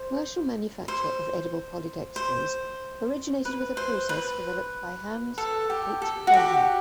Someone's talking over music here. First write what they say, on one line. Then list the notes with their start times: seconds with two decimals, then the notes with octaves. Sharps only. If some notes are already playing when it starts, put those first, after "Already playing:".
Commercial manufacture of edible polydextrose originated with a process developed by Hans H. Rennhard.
Already playing: C5
0.88 C5
2.16 C5
3.45 B4
3.77 C5
4.09 B4
5.38 A4
5.70 G4
6.02 A4
6.27 F#4
6.34 G4